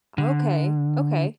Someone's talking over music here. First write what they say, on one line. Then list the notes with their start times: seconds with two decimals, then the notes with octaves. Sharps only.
Okay, okay.
0.18 D3